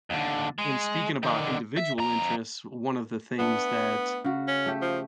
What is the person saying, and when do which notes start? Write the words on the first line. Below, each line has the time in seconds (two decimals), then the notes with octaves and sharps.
in speaking about individual interests, one of the things that
0.10 D#2 D3
0.58 G#3
1.23 D3 D#3
1.77 E5
1.98 F2 A#5
3.39 A3 B3 D4
4.24 C#3 F#4
4.47 C#4
4.66 A3 G4
4.82 F3